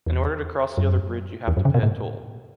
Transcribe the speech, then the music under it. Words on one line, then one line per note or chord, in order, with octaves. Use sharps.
In order to cross the other bridge you have to pay a toll.
E2
F#2
E2
F#2
C#3
B2
A2